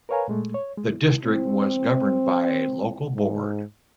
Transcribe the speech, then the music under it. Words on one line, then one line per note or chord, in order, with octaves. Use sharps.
The district was governed by a local board.
A#4 B4 C#5 F5 G#5 A#5
A#2 G#3 A3
C#5
G#3
C4
G#2